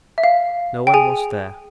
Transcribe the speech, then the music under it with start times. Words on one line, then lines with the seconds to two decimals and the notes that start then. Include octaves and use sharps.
No one was there.
0.18 E5
0.24 F5
0.87 G5
0.94 G#4 G#5